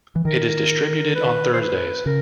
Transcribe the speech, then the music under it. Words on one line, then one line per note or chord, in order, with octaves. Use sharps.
It is distributed on Thursdays.
E3
D#3 A#4
B4
C5
B4
C#3 A#4